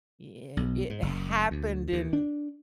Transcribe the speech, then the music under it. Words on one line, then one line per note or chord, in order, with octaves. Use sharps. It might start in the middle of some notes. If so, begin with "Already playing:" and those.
yeah, it happened in
B1
G#2
F#1
D2
D#2
D4